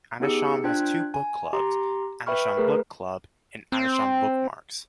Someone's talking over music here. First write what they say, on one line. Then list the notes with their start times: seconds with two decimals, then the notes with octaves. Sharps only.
Adisham has two book clubs: Adisham Book Club and Adisham Bookmarks.
0.20 B3 D#4 G4 G#4 E6 C#7
0.64 D4 F4 C5 G5 F#6 G#6
1.14 G#5
1.53 G4 A#5 C6
2.26 B4 E5 G5 B5 C#6 F6
2.57 A3 G#4 A#4 B4
3.72 C4